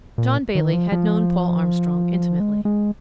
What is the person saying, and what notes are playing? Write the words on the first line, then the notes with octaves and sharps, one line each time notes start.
John Bailey had known Paul Armstrong intimately.
A#2
D#3
F3
F3
G#3
G#3